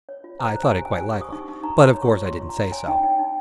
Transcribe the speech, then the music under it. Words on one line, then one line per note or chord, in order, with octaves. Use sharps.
I thought it quite likely, but, of course, I didn't say so.
C#5
F4
C5 A#5
C5
G#5
G4
C5 G#5
G4 G#5
C#6
G4 D#6
D#4 C#6
D#4 C#6
D#4 A#5
C#5 C6
C#5
C#6
F4
F4 C6
F4
A#5
F4
C#5 G#5
D#4 G5
D#4 G5
D#4